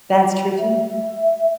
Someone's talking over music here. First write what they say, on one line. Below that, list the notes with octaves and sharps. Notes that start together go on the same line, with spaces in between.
That's true too.
E5